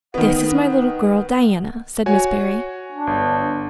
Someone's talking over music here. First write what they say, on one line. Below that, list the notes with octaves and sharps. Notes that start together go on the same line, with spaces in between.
"This is my little girl Diana," said Mrs. Barry.
D#3 B3 F#5
F#4 C#5 G#5
D4
G1